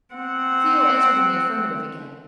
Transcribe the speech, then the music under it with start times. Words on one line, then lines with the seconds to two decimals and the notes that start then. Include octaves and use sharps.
Theo answered in the affirmative again.
0.15 C4 F#5